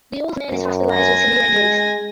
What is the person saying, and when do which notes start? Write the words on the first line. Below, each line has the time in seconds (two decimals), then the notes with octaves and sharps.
The old man is hospitalized with severe injuries.
0.50 F#2
0.92 G#5 A#6
1.54 G#3